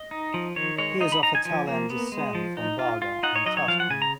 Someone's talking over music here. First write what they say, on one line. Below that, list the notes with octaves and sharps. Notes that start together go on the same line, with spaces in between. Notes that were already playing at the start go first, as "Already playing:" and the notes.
He is of Italian descent from Barga, in Tuscany.
Already playing: D#5
D#4
F3
D#3 C#5
G#3 C#5
D#4 D#5
B5
D#4 A#5
G#5
F3 G#5
A#3
B3
G#3
F3
D#4
F4
F4
D#4 F#5
C#5
F#3 D#5
C#5
F3 F5
F#5
C#3 G#5
A#5